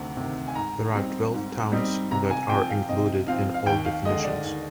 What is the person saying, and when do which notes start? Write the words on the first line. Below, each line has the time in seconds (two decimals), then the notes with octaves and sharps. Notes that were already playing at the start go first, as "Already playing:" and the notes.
There are twelve towns that are included in all definitions.
Already playing: D2 C3 D#3
0.17 C3 D#3
0.48 G#5
0.55 G#2 A#5
0.94 G3 C4 D#4
1.34 G#2
1.72 G3 C4 D#4
2.11 C3 A#5
2.30 G#5
2.49 F3 C4 G5
2.70 F5
2.89 C3 D#5
3.27 F3 C4 F5
3.54 F5
3.66 D#2 G5
3.85 F5
4.05 G#3 D#5
4.09 D3
4.24 D5
4.44 D#2